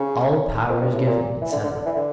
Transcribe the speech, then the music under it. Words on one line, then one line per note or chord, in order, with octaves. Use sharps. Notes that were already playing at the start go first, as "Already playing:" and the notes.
"All power is given," etc.
Already playing: C#3
F2
G2
A2
A#2
E3
D3
D3
D3
E3
D3